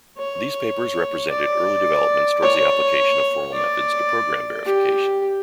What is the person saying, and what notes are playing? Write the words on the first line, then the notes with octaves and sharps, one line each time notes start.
These papers represented early developments towards the application of formal methods to program verification.
C#5
D5
C#5
D5
G4